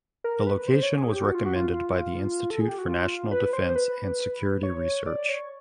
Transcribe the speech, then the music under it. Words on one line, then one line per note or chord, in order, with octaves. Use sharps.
The location was recommended by the Institute for National Defense and Security Research.
A#4
B4
C5
C#5
G#4
G4
F#4
F4
F#4
F4
A4
G#4
G4
F#4
F4
B4
C5
B4
C#5
D5
C#5